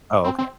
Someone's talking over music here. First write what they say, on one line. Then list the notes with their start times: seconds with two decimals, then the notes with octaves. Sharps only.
Oh, okay.
0.24 C4
0.38 C4